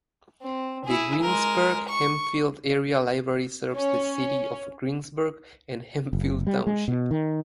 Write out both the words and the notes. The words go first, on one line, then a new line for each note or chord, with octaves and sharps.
The Greensburg Hempfield Area Library serves the City of Greensburg and Hempfield Township.
C4
E4 G#4
G#3 A#4
C#6
C#4
F#1
G3
G#3
B2
D#3